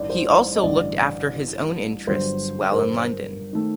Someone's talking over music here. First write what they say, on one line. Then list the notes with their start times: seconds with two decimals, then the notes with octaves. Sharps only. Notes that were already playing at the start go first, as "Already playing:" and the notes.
He also looked after his own interests while in London.
Already playing: A1 G2 D#3 D5
0.10 C5
0.56 D#5
0.63 A1 G2 D3 D5
2.07 G1 G2 D3 F#3 C5
2.72 A#4
2.79 C5
3.53 D#3 A3